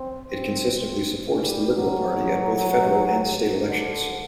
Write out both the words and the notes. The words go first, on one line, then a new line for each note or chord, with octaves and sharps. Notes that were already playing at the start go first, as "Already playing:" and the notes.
It consistently supports the Liberal Party at both federal and state elections.
Already playing: C4
C4
G3
F#3
D3